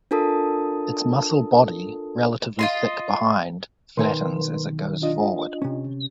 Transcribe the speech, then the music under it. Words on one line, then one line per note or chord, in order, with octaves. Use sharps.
Its muscle body, relatively thick behind, flattens as it goes forward.
D4 F4 A4 A#4 A5 D#6
F4 D#5 C6
B1 D#3 A#4 B4 G#5 C6
D4 F4 D#5
C3 C#4